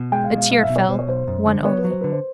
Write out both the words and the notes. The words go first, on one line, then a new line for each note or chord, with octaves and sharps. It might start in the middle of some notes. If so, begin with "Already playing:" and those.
A tear fell: one only.
Already playing: B2
G#3 G5
F5
B2
F5
B1 F5
E5
B2
C#5
B2 C5
C#5
B1 C5
F#2
D3
B3 C#5
B4
F#3
C5
D3 B4
C5